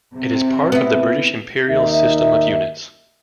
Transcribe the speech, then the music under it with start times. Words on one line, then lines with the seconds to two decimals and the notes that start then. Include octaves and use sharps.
It is part of the British Imperial system of units.
0.17 C3
0.72 B3 E4
1.69 D#2 D#4 E5